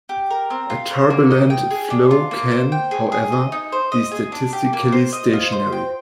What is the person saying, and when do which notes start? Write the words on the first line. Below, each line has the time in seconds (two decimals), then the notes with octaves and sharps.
A turbulent flow can, however, be statistically stationary.
0.09 G4
0.30 A#4
0.50 C4
0.70 F4
0.91 C5
1.10 A#3
1.30 D#5
1.50 G5
1.71 G#4
1.90 D4
2.11 F4
2.31 A#3
2.51 C5
2.72 G5
2.91 G#4
3.12 G#4
3.32 D#5
3.52 D#4
3.72 C5
3.92 D#5
4.11 G#4
4.32 D4
4.53 G4
4.73 A#3
4.92 C5
5.13 D#5
5.33 F4
5.52 C5
5.72 G5